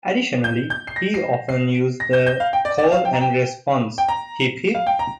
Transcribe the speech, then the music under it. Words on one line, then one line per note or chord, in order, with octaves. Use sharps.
Additionally, he often used the call and response, Hip hip?
G6
G6
C7
A#6
C7
C7
A#6
G6
G6
F5
G5
D5
D5
F5
G5
A#5
G5
G5
A#5
F5
G5
A#5